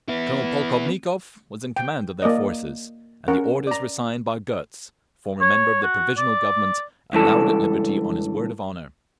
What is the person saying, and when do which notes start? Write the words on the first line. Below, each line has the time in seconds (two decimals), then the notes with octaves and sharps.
Colonel Polkovnikov was in command of their forces, and the orders were signed by Gotz, former member of the Provisional Government, allowed at liberty on his word of honour....
0.09 B3 E4
1.76 G5
2.22 A#3 D5 D#5
3.28 C#4 A#4 F#5
3.67 D5 A#5
5.41 C#5
5.83 F#4
6.18 D5
7.13 C#2 G2 E3 A4